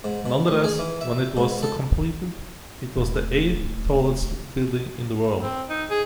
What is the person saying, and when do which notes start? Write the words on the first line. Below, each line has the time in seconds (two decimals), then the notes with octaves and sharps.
Nonetheless, when it was completed, it was the eighth tallest building in the world.
0.04 G#2
0.26 B2
0.48 D2
0.64 G#4
0.79 E3
1.01 E5
1.37 G#2
1.63 A4
2.96 D#1 A3
5.41 C4
5.69 D#4
5.90 G#4